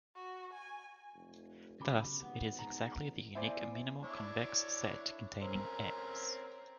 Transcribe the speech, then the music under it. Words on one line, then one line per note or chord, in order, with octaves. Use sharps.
Thus, it is exactly the unique minimal convex set containing "X".
F#4
G#5
F1
B1 C#3 G4 B5
G#1 B3
G#2 A#5
A1
B3 E4 C5 D5 E5 F5 G#5
D4 E4 C#5
C4 C#4 A#4